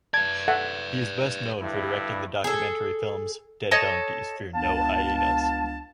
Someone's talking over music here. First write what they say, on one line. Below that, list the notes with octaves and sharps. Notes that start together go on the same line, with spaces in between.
He is best known for directing the documentary films "Dead Donkeys Fear No Hyenas".
B4 D5 A5 G#6
A4 E5 F#5
D2 G2 E4
G#4 A4
A4 C#5 D#5
C#2 B3 D4 F5 A5